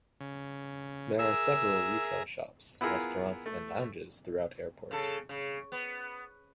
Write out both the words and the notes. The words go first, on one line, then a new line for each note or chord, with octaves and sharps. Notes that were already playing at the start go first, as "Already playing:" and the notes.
There are several retail shops, restaurants and lounges throughout airport.
C#3
G#4 A#4 E5 E6
B3 E4 F4 G#4 A#4
A3
C#3 A4
C#3
B3